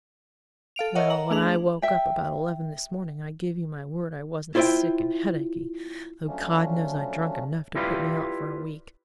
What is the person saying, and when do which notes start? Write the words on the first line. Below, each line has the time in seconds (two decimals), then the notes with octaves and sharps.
Well, when I woke up about eleven this morning I give you my word I wasn't sick and headachy, though God knows I'd drunk enough to put me out for a week....
0.76 A4 F5 D7 F7
0.95 A#4 C#5 D#5 E5 F#5
1.10 A#5 F#7
1.31 A3 D4 G#4 F7 F#7
1.82 E5 G5
4.55 E4 F4 C5 D5 E5 G5
6.27 F3 F#3 A3 C#4 D4
7.75 E4 F4 G4 B4 D5 F5